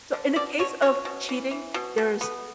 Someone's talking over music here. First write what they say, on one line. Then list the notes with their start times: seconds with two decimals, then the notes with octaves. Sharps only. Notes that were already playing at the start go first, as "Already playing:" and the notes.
So, in the case of cheating, there's
0.13 D3
0.36 B2 D5
0.59 B2 C#5
0.82 B2 C#5
1.05 B2
1.29 E3
1.51 E3
1.74 B2
1.98 B2
2.21 B3